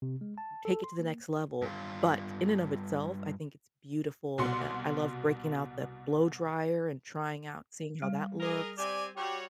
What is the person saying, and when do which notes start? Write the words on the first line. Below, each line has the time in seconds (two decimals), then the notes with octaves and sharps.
take it to the next level, but in and of itself, I think it's beautiful. I I love breaking out the blow dryer and trying out seeing how that looks.
0.02 C3
0.21 G#3
0.38 A5
0.65 A4
0.84 C6
0.99 A#3
1.62 G2 F4
4.38 C2 B2 F#4 C6 C#7
8.02 G3
8.40 G#4 A#4 D#5
8.78 C4 G4 D5 G#5
9.16 G3 F#4 G4 C#5